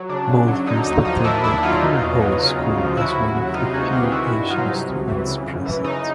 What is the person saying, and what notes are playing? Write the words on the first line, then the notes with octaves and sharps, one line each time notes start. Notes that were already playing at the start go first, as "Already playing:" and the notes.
Maul first attended Punahou School as one of the few Asian students present.
Already playing: F#3
C#3 D4
F#2
F#3
D3 D#4
D#2 D#4
F3 D#4
D#3 D4 E4
D#2 D4 E4
F#3 D#4 F4
B2
E2
F#3
C#3
D2
F3
C#3 E4 F#4
D#2
F#3
C3 D#4 F4
D2 F#4 G#4
E3 F4 G4
D#3 E4 F#4
G2
F#3 D#4 F4
C3
C#2
E3
C#3
F#2
E3
C#3 D#4